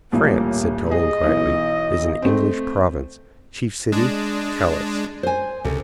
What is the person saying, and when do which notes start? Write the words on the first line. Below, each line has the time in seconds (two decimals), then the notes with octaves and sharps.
"France," said Toline, quietly, "is an English province; chief city, Calais."
0.12 D#1 A1 A#2 A#3
0.91 G#4 D#5
1.23 B1 E3
2.22 A3 C4
3.92 G#3 D4
5.23 C5 G#5
5.65 C#2 C3 A4